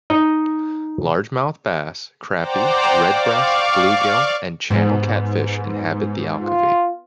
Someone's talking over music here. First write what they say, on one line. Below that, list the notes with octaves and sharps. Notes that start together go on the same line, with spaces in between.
Largemouth bass, crappie, red breast, bluegill, and channel catfish inhabit the Alcovy.
D#4 D#5
C5 D5 F#5 G5 A#5 D6
D5 F5 C#6 D6
G#2 B3
F4